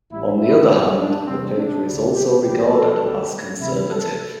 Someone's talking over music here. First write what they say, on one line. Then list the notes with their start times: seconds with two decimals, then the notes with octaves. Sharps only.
On the other hand, the paper is also regarded as conservative.
0.11 A1 A2 G3 E4
0.40 E4
0.69 G1 G2 D3 G3
0.98 D4
1.27 E2 C3 G3 C4
1.57 D4
1.85 D2 D3 G3
2.15 G4
2.43 C2 C3 E3 G4
2.73 A4
3.01 D2 D3 G3
3.60 D2 C3 E3 G3 E4
3.89 A4